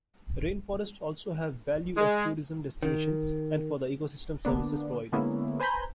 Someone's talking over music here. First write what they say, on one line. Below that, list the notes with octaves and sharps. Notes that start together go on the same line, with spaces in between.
Rainforests also have value as tourism destinations and for the ecosystem services provided.
G#3
D#3
D3 A#3 B3 D4
D3 G#3 A#3 B3 C#4 E4
B4 C5 G#5 A#5 B5 G6